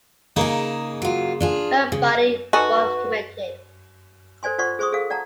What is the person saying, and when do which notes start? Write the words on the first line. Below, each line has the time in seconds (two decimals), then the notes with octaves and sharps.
Her body was cremated.
0.36 C#3 A#3 D#4 G#4
1.02 F#3 F4
1.40 D4 F4 G#4
1.92 C#3
2.53 D#4 F#4 A4 B4 G#5
4.43 A4 C5 D5 G#5 C6
4.58 F4 C5 D5 F#5 C6 C#6
4.79 G#4 C5 C6 C#6 D#6
4.92 G#4 A4 F5
5.10 D5 F#5 A5 A#5